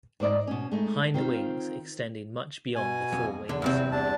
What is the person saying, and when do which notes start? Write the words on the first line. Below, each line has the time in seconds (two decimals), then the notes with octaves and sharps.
Hind wings extending much beyond the fore wings.
0.20 G#2 C5 D5 D#5
0.47 B2 C#4
0.72 G#3 A3 D#4
1.14 D#3 C4 F4 C5 F5
2.75 B2 G#5
3.12 F2
3.49 E2 D3
3.62 G2 C3 C4
3.92 E2 D4 A5